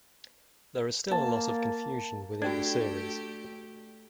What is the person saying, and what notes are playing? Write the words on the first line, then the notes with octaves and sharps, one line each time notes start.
There is still a lot of confusion within the series.
A#3 A5
A3 D4 F#4 G4 G5 G#6